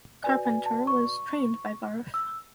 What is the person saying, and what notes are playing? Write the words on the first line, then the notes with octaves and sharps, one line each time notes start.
Carpenter was trained by Barth.
F#4 B4 D5 G#5
G#5
A5
C#6
E6